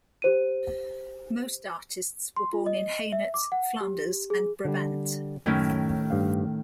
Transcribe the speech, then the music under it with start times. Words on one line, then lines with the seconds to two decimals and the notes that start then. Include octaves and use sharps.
Most artists were born in Hainaut, Flanders and Brabant.
0.22 G4 C5 D#7
2.36 C6
2.53 F4
2.66 D#5
3.12 E5
3.34 D6
3.52 F#5
3.81 G4
4.30 G#4
4.65 D3 G3
5.46 F#2 A2 D#3 C#4
6.10 G2 F5